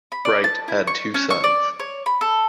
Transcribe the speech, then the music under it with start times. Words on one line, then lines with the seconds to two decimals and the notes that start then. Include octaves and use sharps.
Bright had two sons.
0.12 B5
0.25 D5
0.44 A5
0.68 E4
0.87 C#6
1.14 C#4
1.30 C#6
1.44 D5
1.80 C#5
2.06 B5
2.21 A4